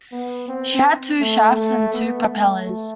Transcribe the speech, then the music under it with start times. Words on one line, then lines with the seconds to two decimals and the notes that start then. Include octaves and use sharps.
She had two shafts and two propellers.
0.12 B3
0.48 C4
1.21 A3
1.56 A3
1.93 B3
2.29 A3
2.65 A3